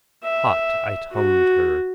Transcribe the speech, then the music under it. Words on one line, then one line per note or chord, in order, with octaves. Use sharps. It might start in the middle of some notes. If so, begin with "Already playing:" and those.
Hot I tongued her.
E5
F#4